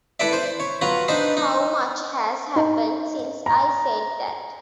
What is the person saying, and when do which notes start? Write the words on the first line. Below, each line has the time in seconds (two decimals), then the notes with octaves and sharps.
How much has happened since I said that!
0.20 E4 A4 B4 D5 E5
0.33 C5
0.60 C#5
0.81 F#3 F4 B4 A#5
1.08 D4 D#4 B4 C5
1.37 D#4
2.56 D#4
3.46 A#5